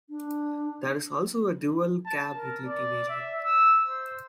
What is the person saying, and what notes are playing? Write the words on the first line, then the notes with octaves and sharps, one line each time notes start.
There is also a Dual Cab Utility variant.
D4
A5
A#4
D5
E5
E6
C5